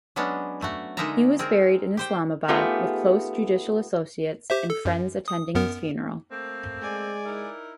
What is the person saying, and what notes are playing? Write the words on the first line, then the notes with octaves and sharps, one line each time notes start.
He was buried in Islamabad with close judicial associates and friends attending his funeral.
F#3 G#3 B3 C#4 D4
A3 F#4
D3 G#3 D#4 A#4 E5 A#5
C4 G#4 A#4
G4 C5 G5
A3 B3 D#4 F4 G4 G#4
G4 C5 E5
A4
F#2
D#6
F#2 B3 A#4
A3 A#3 C4
G#3 D5 G#5
D#4 E4 A#4